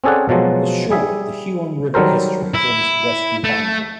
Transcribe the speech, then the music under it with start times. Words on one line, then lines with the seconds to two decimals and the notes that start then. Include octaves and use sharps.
The shore of the Huon River estuary forms the western boundary.
0.04 C4 C#4 G#4 A4 D5 F#5
0.29 B2 F3 F#3 G#3
0.90 G3 G#4 E5
1.94 D#3 F#3 G3 A4 A#4 C5
2.54 E4
3.44 A3